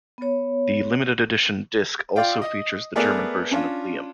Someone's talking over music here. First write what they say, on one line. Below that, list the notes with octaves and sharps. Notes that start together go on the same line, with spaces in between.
The limited-edition disc also features the German version of "Liam".
B3 C#5
F4 D5 F5 G5
D#5
A3 B3 G#4 A#4 B4 D5
C#4 D4 F4